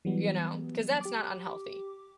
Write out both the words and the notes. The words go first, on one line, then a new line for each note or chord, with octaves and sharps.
you know, cause that's not unhealthy.
E3 F#3 G3 B3
G4 D6